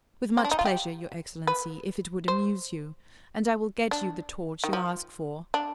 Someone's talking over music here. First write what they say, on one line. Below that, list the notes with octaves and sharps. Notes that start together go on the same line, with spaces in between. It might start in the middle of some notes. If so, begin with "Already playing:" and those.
With much pleasure, your excellency, if it would amuse you; and I will get you the torch you ask for.
C4
D4
D#4
F4
G4
B4
C5
D4
D#3
F3
D4